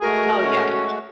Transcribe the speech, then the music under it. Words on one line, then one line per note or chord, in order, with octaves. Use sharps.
Oh, yeah, yeah.
G#3 A3 F#4 G#4 A#4
C#4